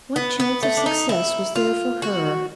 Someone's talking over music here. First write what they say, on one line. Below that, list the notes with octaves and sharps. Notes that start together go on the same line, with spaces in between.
What chance of success was there for her?
B3
B3
A3
D4
D#4
E4
F4
F#4